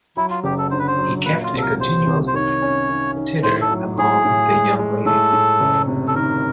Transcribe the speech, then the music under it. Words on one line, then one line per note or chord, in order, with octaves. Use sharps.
He kept a continual titter among the young ladies.
F#3 E4
F4
F#1 G4
A4
D3 C5
B4
C5
F#3
A#2 B4
F4
C2 A4
A#4
C2 C5
C2
C5
D#3 C#5
C#4
D#3
D#3
A2 C5
A4
F#3
A2 G#4
A2
G#3
G#3
A2 A4
A2
F#1
C3
A4
D#3 A#4